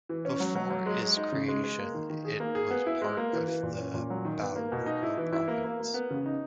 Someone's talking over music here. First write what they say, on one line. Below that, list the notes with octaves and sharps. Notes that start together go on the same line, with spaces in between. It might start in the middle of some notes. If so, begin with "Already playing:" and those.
Before is creation it was part of the Baoruco Province.
E3
C#4
F#3
F#3
F#3
G#3
G#3
D#4
C#3
G#3
G#3
A#3
D#3
D#3
G#4
A#3
G#4
B3
E4
G#3
A#3
E3
E3
A#2
C#4
A#2
F#3
D#3
B3
A#3
B2
D#4
E4
E3
E4
A#3
A#3
A#3
B3
C#3
D#4